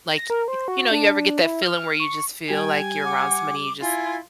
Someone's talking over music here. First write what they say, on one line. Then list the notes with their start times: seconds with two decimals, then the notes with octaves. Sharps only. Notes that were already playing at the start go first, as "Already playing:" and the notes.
like y you know, you ever get that feeling where you just feel like you're around somebody and you just
0.17 A#6
0.30 A#4
0.48 C5
0.68 F#4
0.91 D4
1.41 E4
1.62 F6
2.00 C#6
2.50 G3 G5 G#5
3.05 F#5 D6
3.81 E4 F4 G#5